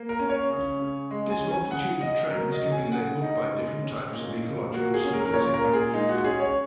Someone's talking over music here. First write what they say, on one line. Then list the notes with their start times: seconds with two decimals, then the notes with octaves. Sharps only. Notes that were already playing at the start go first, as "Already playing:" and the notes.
This multitude of trends can be labeled by different types of ecological stability.
Already playing: A#3
0.09 A#4
0.19 C#4
0.29 C#5
0.50 C#3
0.80 C#3
1.11 G#3
1.30 G#5
1.41 C#4
1.51 G#5
1.71 C#3 F#5
2.01 C#3 D#5
2.31 F#3 A#4
2.52 D#5
2.61 C#4
2.72 G#5
2.92 C#3 F#5
3.22 C#3 D#4
3.52 G#3
3.82 C#4
4.12 A#2
4.43 A#2
4.73 A#3 F#4
4.94 G#4
5.04 C#4
5.13 A#4
5.25 A#4
5.34 A#2 C#5
5.54 A#4
5.64 A#2
5.73 G#4
5.94 G#3 D#4
6.09 F#4
6.24 C#4 G#4
6.40 C#5